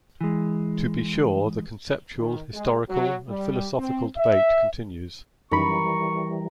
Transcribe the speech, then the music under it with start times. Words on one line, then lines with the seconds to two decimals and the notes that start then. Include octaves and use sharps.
To be sure, the conceptual, historical, and philosophical debate continues.
0.21 E3 G#3
2.17 D#3
2.54 G#3
2.89 F#3
3.28 G3
3.78 C4
4.16 E5
5.51 F#2 D#3 E3 G3 A#4 B5 C#6